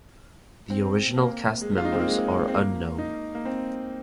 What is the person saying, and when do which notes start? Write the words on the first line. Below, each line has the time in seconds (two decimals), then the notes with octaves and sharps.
The original cast members are unknown.
0.70 C4
1.17 A#3
1.61 G#3
1.77 F4
1.85 D#4
1.92 C4
2.00 A#3
2.08 G#3
2.48 C4
2.54 A#3
2.98 D#4
3.35 A#3
3.45 C4